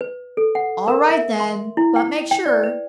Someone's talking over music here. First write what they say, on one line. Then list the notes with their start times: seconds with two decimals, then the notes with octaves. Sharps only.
"All right, then, but make sure."
0.01 B4
0.37 A4
0.55 F#5
0.88 A#4
1.10 E5
1.40 C6
1.77 E4
1.96 G5
2.31 G5
2.46 D5
2.63 B4